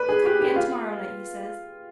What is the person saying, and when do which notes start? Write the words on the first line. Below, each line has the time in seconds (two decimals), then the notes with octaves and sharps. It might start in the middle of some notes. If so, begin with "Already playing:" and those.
'He'll come again to-morrow night, he says.
Already playing: B4 D5
0.09 G#4
0.25 G4
0.41 G4
0.56 F4